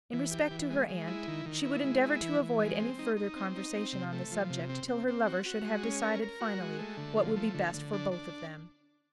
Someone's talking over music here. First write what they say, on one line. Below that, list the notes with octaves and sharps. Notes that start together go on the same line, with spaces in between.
In respect to her aunt, she would endeavour to avoid any further conversation on the subject till her lover should have decided finally what would be best for both of them.
E3
G4
E3
G#3
G#3
E4
D#3
D#3
E4
G#3
E4
E3
E3
G#3
C4
D#4
D#4
C4
D#4
C4
C3
A3
F3
C3
C4
C4
C4
F#4
F#4
G#3
C#4
A#4
A#4
F#4
G#3
A3
D3
F3
A3
D3
D3
D4
D4